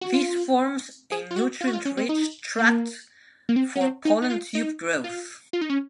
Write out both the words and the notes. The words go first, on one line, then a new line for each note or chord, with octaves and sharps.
This forms a nutrient rich tract for pollen tube growth.
F#4
F4
G#4
F4
F#4
F4
F#4
F4
C#4
C4
D#4
A#3
A#3
C4
C#4
C4
D#4
D#4
F4
D#4
F4
F4
D#4
C#4